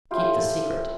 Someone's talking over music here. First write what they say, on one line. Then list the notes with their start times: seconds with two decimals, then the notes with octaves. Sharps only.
Keep the secret.
0.11 A3 C#4 E4 F4 G4